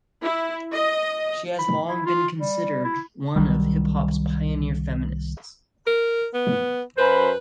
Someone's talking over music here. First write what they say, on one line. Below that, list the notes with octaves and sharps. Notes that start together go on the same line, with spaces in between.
She has long been considered one of hip-hop's pioneer feminists.
E4
D#5
B5
E4
F4
G3
E4
C2 D#3 F#3 G3
A#4
B3
F#2 B4 C5 B5